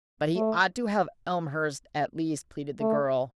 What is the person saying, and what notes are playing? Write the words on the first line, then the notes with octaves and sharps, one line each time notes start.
"But he ought to have Elmhurst, at least," pleaded the girl.
A3
A3